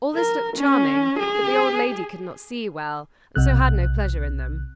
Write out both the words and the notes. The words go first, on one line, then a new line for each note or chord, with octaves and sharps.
All this looked charming, but the old lady could not see well, and so had no pleasure in them.
A#4
C#4
G#4
B1 C3 F#6